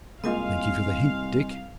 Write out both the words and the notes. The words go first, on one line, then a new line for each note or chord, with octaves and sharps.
Thank you for the hint, Dick.'
C2 G#3 A#3 F4 D#5 F5 G#5 C6